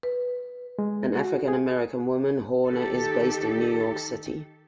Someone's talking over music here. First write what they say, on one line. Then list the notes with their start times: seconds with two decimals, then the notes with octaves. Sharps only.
An African-American woman, Horner is based in New York City.
0.03 B4
0.79 G#3
1.16 F#4
1.48 G#4
2.67 D#3 G4 A4